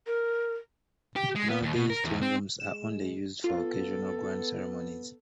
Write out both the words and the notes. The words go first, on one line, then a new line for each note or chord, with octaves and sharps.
Nowadays throne rooms are only used for occasional grand ceremonies.
A#4
G4
G#3
B3
D#2
B2
A#4
E2
C4
G#3 E7
B3 F4 A4